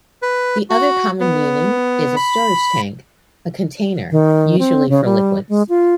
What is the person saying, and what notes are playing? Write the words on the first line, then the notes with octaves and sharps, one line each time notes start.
The other common meaning is a storage tank, a container, usually for liquids.
B4
F#4
B3
B5
D#3
C4
C#3
G3
G#3
F4